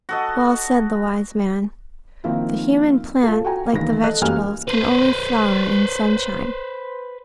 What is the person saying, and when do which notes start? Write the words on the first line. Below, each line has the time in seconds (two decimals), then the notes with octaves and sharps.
Well said the wise man, "The human plant, like the vegetables, can only flower in sunshine."
0.09 F#4 A4 D#5
2.24 D#3 F3 A#3 C4 D#4 E4
3.23 F4 A4
3.45 F#4 G5 G#5 A#5
3.73 C#2 D#3 E3 A#3 A#6
4.04 A4 D#5 F#6
4.21 F#2 E3 G3 A#3 G#5 F6
4.68 B4 C5